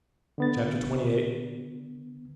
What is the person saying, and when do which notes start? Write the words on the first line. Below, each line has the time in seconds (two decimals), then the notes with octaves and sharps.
Chapter XXVIII.
0.38 D3 B3 A6